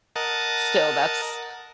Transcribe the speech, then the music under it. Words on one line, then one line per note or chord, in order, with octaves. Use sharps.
still, that's
A#4 D#5 F#5 A5